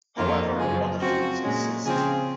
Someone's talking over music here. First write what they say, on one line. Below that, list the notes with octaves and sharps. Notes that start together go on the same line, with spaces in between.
However, other views exist.
F2 D#3 A#3 F4
F#2 C#3 F3 G#3 G#4
C#3 F3 C4 F#4
A#2 G#3 C#4
C#3 F3 C4 G#4